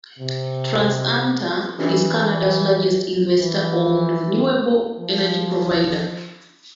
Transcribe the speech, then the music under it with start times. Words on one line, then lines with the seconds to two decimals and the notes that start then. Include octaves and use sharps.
TransAlta is Canada's largest investor-owned renewable energy provider.
0.19 C3
1.79 E3
3.39 E3
4.99 F3